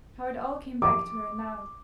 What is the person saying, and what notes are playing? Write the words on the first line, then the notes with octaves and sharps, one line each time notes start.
How it all came back to her now!
D6